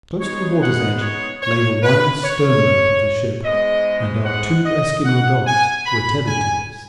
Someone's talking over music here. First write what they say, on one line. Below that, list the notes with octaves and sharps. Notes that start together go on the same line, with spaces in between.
Close to the water's edge lay the wire stern rope of the ship, and our two Esquimaux dogs were tethered to this.
C#3 G#3 B3 D#4 C#5
F#5
C#5
C#5
B4
C#5
G#2 G#3 B3 D#5
F#5
D#5
F#5
G#5
B5
G#5